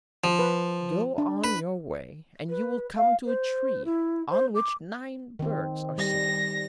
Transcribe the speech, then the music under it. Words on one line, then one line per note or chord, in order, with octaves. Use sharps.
Go on your way, and you will come to a tree, on which nine birds are sitting.
F3
B4
D4
B4
B4
F5
C5
E4
C5
D6
D#3 C4
G3 A#6